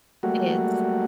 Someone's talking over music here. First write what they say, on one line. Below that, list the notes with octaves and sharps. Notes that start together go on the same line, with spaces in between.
It is.
F#3 G3 A3 A#3 F#4